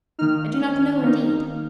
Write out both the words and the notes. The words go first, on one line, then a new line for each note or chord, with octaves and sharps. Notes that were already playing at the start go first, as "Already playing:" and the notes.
"I do not know indeed."
D#3 A#3 D#4 F6
D#3 A#3 D#4